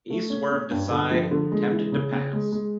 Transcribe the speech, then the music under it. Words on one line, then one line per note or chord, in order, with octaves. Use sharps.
He swerved aside, and attempted to pass.
A3
C#4
C#4
G2
D3
F3
D3
G#3
E3
C#3
C#3
G#3
G#3